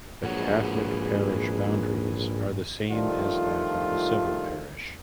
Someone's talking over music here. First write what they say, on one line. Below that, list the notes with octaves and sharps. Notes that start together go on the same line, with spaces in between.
The Catholic parish boundaries are the same as that of the civil parish.
A#1 G#2 F#4 G#4 B4 C#5
D#3 F3 G3 A3 D4 F4